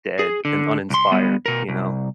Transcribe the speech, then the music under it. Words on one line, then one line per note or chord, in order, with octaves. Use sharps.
dead and uninspired, you know?
G#4
D3
C2 C6
G3 B3
B2 A#4
C2